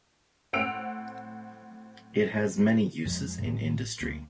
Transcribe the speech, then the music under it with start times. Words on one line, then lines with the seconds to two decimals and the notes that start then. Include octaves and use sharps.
It has many uses in industry.
0.53 A2 C4 F#5 E6 D7 F7
3.05 F2 G#3
3.41 A1 A2
4.01 D2 A#3